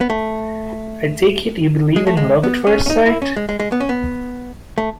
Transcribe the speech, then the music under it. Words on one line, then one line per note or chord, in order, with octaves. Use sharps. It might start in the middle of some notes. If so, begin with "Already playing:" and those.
I take it you believe in love at first sight?
B3
A3
G#3
A3
G#3
B3
C#4
C#4
D#4
E4
C#4
G#3
G#3
G#3
B3
C#4
B3
A3